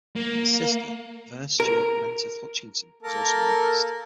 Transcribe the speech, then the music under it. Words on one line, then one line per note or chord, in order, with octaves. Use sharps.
His sister, Vere Stuart-Menteth Hutchinson, was also a novelist.
A#3
A#4
A#3 A4 A#4